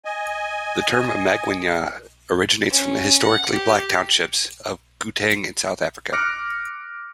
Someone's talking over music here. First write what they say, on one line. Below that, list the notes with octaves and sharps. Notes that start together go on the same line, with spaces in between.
The term "amagwinya" originates from the historically Black townships of Gauteng in South Africa.
D#5 G#5
C#4
F#5
G4
D6 F6 F#6 A#6 C#7 D7